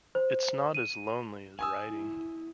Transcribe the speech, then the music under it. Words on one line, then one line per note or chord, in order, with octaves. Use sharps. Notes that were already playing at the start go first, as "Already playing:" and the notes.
It's not as lonely as writing.
C5
D#7
G#5 D#6 E6
E4